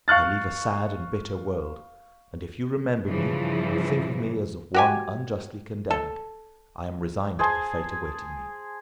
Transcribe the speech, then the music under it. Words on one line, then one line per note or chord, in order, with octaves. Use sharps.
I leave a sad and bitter world; and if you remember me and think of me as of one unjustly condemned, I am resigned to the fate awaiting me.
F5 C#6 F#6 A6
G2 C#3 E3 F3
F#4 G4 G#5
A4
G#4 C5 G#5 A5